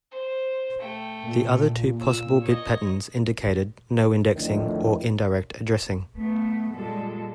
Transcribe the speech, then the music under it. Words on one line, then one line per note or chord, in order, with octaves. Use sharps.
The other two possible bit patterns indicated no indexing, or indirect addressing.
C5
A3 G5
A#2
E6
C#5 D#5
F2 A2 D3 D#3
A3 B3
A#2 G3 G#3 A4